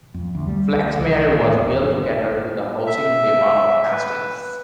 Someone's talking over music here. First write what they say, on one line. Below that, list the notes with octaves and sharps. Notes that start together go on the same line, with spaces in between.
Flaxmere was built to cater to the housing demand of Hastings.
F2
D2
G3
D2
C2
D#3
A1
D#1
G1
E5
B4